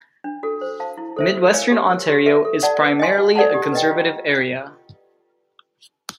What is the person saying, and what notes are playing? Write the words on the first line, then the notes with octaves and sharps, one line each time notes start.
Midwestern Ontario is primarily a conservative area.
D4
F#4 A4
C5
F5 A5
E4
A4 C5 E5
F#4
A#4 C#5 F5 G#5
G4
A#4 C#5
G4
B4 E5
A4
D5 F#5 A5
B4
D#5 G#5 C6
F#4
A4 D5 F#5 A5
G4
B4 D#5 G5
F4